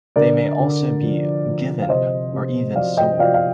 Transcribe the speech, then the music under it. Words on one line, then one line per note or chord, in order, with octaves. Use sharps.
They may also be "given" or even sold.
D3 A#4 D5
D3
F3
F3
F5
C3 C5 D#5
C3
F3 D5 F5
D#5 G5
F3 D5 F5
F5